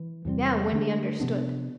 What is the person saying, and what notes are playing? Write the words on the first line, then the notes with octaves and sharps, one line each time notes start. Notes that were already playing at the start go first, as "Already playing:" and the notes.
Now Wendy understood.
Already playing: E3
E2 C3 G3 C4
D3 A3 D4
C3 F3 B3 D4